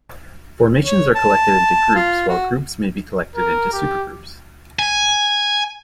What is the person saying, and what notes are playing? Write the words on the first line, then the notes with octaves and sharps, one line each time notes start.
Formations are collected into "groups" while groups may be collected into "supergroups".
C#5
A5
F4
F#4
A#4
G4
G#5